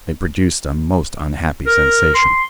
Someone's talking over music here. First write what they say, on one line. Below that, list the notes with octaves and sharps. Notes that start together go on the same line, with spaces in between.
They produced a most unhappy sensation.
A#4
C6